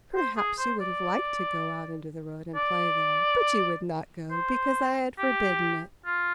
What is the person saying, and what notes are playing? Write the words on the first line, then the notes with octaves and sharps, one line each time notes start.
Perhaps you would have liked to go out into the road and play there, but you would not go because I had forbidden it.
C5
G#4
C5
D5
D5
C5
G4
F4